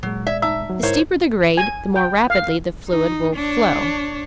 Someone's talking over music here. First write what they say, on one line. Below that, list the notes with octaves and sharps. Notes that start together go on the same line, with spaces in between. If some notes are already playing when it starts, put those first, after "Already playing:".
The steeper the grade the more rapidly the fluid will flow.
A#2 F#3 G#3
D5 E5
D#4 E5 A#5 E6
F#3
G#2 E4 A#4 C5 C#5
G#5
G5
F5
D#4
D4 C#5